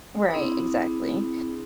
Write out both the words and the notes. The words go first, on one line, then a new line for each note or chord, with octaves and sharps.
Right, exactly.
C4 D4 E4 G#4 B5 D#6